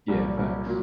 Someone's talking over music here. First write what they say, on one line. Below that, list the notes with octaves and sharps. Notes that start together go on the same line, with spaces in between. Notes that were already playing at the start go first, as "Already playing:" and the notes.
Yeah, facts.
C2 A#2 G3
C2 A#2 G3
A#2 F#3